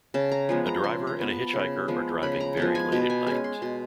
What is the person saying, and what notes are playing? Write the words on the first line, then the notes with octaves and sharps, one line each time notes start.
A driver and a hitchhiker are driving very late at night.
C#3 A5
A#5
F3 G#3 B3
A#5
C#3 C6
A#5
F3 G#3 B3
A5
C#3
F3 G#3 B3
C#3 B5
A#5
F3 G#3 B3 A5
G#5
B2 G5
G#5
G#3 C#4 G#5
C6
B2 C6